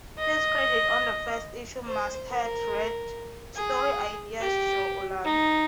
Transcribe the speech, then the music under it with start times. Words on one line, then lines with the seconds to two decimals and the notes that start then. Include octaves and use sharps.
His credit on the first issue masthead read: Story Ideas: Joe Orlando.
0.19 D#5
1.87 C5
2.29 A#4
3.56 G#4
4.41 G4
5.25 D#4